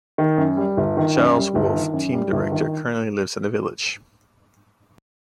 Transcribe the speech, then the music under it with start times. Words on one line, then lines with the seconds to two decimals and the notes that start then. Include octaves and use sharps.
Giles Wolfe Team Director currently lives in the village.
0.18 D#3
0.38 F#2
0.57 G3
0.77 G1
0.97 D#3
1.16 F#2
1.35 G3
1.55 G1
1.74 D#3
1.94 F#2
2.13 G3
2.32 G1
2.52 D#3